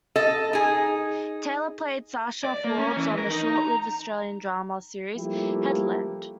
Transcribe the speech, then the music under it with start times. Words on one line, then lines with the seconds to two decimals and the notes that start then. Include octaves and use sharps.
Taylor played Sasha Forbes on the short-lived Australian drama series "headLand".
0.16 A4 D#5
0.53 D#4 G#4
2.45 D5
2.64 A#3
2.78 C#4
2.96 E3
3.18 A#4
3.30 D#4
3.56 A#5
5.16 F3 G3 A3 A#3 E4 G4